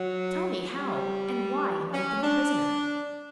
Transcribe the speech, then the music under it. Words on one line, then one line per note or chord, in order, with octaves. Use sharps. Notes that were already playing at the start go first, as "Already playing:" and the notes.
"Tell me how and why am I again a prisoner?"
Already playing: F#3
G3
C#4
D4